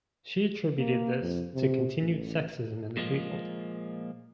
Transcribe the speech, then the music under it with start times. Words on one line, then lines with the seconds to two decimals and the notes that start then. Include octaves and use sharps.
She attributed this to continued sexism in the field.
0.77 A#3
1.21 F2
1.54 C3
2.00 A1
2.97 A#2 F3 G#3 A#3